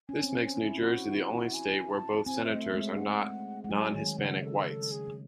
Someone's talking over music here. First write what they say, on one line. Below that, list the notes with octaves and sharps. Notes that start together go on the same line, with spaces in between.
This makes New Jersey the only state where both senators are not non-Hispanic whites.
C#4 G#5
C4
C#4
G#5
E4
F#4 F#5
E4
F#5
E4
G#5
A5
C4 G#5
E5
A3 D#5
E5
G#3
E5
F#5
G#3 F#5
F#3 G#5
D#3 G#5
C#3 F#5
A4
A4
G#4